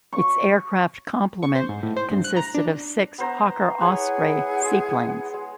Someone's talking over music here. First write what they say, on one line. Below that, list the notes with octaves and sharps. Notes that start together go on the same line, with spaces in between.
Its aircraft complement consisted of six Hawker Osprey seaplanes.
C#6
C#6
C5
G#2
A2
C5
G2
F#6
A#5
D4
B3 C5 A#5
E4 G#4 B4 C#5 F#5
G#3
G#3